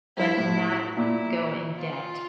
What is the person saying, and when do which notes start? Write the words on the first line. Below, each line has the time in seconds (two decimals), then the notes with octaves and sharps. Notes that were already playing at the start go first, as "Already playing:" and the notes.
but not go in debt
0.17 G2 E4
0.37 A2
0.96 A#2 E4
1.76 F4